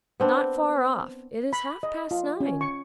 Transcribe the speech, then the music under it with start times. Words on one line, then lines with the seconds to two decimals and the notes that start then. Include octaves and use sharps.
'Not far off--it is half-past nine.
0.20 B3 C4 D4
1.53 B5
1.83 D#5
2.11 F4
2.40 C#4
2.61 C#6